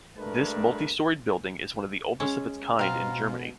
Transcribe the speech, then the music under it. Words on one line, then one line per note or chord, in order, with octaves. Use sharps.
This multi-storied building is one of the oldest of its kind in Germany.
G2 G#3 A3 D4 A#4 B4
G#3 C#4
B2 C4 F4 A#5